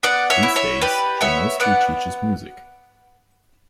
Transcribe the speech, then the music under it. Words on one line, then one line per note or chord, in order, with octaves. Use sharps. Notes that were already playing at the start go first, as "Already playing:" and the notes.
These days, she mostly teaches music.
B3 D5 F#5
C#5 E5
E4
C#5 E5
G4 B4 D5
B3 C#5 E5
B3 D5 F#5